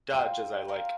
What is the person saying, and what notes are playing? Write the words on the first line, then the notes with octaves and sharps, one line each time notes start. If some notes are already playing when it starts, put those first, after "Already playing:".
Dodge as I like.
F4 A#4 F5 G5 C6
F4 A#4 F5 C6